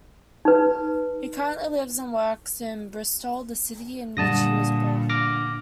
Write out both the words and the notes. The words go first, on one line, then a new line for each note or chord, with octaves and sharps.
He currently lives and works in Bristol, the city in which he was born.
D#4 B4
A#2 D3 G3 D4 A5 D#6 A#6
D6 F6 A#6